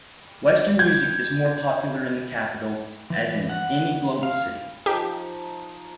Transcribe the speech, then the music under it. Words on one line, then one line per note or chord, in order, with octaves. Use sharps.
Western music is more popular in the capital, as in any global city.
G6 G#6
E3
F#5
F5
F3 D#4 G4